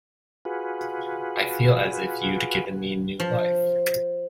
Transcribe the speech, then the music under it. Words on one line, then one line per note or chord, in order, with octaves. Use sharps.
I feel as if you’d given me new life.
F4 F#4 G#4 B4
F3